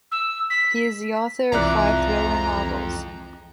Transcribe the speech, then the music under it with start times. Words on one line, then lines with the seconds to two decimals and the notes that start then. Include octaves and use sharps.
He is the author of five thriller novels.
0.12 E6
0.50 B6
1.52 C2 F2 E3 G#3 E4 D5 A#5 F#6